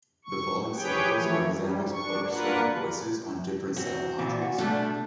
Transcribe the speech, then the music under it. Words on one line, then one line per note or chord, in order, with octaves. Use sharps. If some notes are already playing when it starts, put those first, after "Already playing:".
The following samples are examples of orchestra hit voices on different sound modules.
C#6
G4 G#4 B4 C#5 G5
E3 F3 A3 C#5
G3
D4 C#6
A#3 D4 F4 A#4 B4 F#5
C4 F#4
A#2 E3 F4
F#4
B2 G3 A3 D4